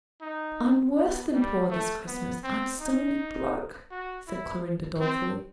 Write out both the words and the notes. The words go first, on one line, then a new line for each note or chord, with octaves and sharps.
"I'm worse than poor this Christmas ... I'm stony broke," said Clorinda dolefully.
D#4
B3
G3
A3
B3
C4
D#4
F#4
E4
C4